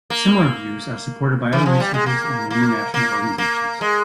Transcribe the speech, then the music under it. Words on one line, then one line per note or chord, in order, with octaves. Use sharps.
Similar views are supported by other researchers and international organizations.
A#3
E3
F3
G3
G#3
A#3
A#3
A#3
A#3
G#3